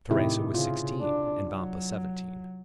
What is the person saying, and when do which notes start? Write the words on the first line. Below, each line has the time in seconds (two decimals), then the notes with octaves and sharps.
Teresa was sixteen, and Vampa seventeen.
0.11 A2 C3 D#3 E4 G4
0.54 C#3 F4
1.01 D4
1.49 F#3